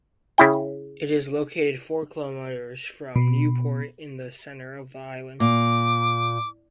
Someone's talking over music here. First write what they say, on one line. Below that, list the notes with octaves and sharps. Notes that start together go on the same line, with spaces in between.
It is located four kilometres from Newport in the centre of the island.
C#3 E4 G5
B2
A#2 D6